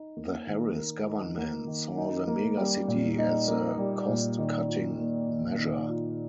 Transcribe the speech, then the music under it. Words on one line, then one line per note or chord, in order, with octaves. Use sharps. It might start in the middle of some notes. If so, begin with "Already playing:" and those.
The Harris government saw the megacity as a cost-cutting measure.
Already playing: D#4
A#3
D#3
A#4
D#4
A#3
D#3
D#4
A#3
G3
A#2
D#4
A#3
G3
A#2
D#3
F4
A#3
D#3
D#3
F4